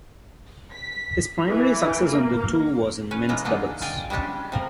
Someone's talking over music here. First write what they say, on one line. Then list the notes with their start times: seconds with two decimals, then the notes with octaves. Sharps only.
His primary success on the tour was in men's doubles.
0.71 B6
1.49 E3
2.03 A#3
3.11 C#4 B4
3.29 E3 G#3 F4 A#4
3.45 D3 E3 A#3 D4 D#4 F4
3.81 F4 G#4 D5 G5 G#5
4.10 G3 G#3 C#4 D4 G4
4.52 C3 F3 A#4